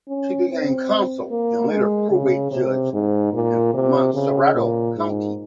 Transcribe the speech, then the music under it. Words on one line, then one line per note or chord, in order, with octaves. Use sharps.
She became counsel and later probate judge in Montserrado County.
C#4
C4
A#3
G#3
C#3
C3
G#2
A#2
C3
C#3
A#2
G#2